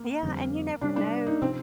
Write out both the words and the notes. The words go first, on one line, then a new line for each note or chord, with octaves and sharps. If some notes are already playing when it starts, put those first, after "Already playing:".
Yeah, and you never know
Already playing: A#3
F2 D3 G3 C4
C3 G3 C4 D4
D4
D#4
C3 F3 C4